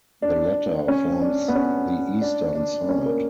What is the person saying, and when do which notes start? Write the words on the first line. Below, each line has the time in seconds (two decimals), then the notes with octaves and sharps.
The latter forms the eastern side.
0.22 D4
0.88 C#4
1.22 D4
1.48 B3
1.55 C#4
2.22 D4
2.55 D4
2.89 C#4
3.06 A#3